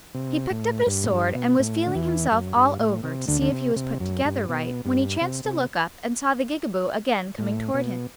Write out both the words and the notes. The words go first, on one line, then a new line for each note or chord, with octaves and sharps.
He picked up his sword, and was feeling himself all over to see if he was put together right, when he chanced to look up and saw the Gigaboo again coming toward him.
C3
A2
G2
A2
G2
B2
A2
D3
E2 E3
F#2
G2
A2
C3
D2 D3
D3
C3
C3
F#2
G2
B2
G2
C3
C3
A2
B2